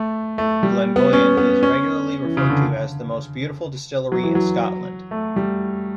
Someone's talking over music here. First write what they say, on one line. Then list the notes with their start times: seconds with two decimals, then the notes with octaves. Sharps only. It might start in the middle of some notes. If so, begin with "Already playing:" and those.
Glengoyne is regularly referred to as the "most beautiful distillery in Scotland".
Already playing: A3
0.38 A3
0.63 G3
0.96 B3
1.13 C#4
1.37 B3
1.63 C#4
2.25 E3
2.37 C#3
2.50 D3
4.12 F#3
4.23 E3
4.35 F#3
5.11 A3
5.36 G3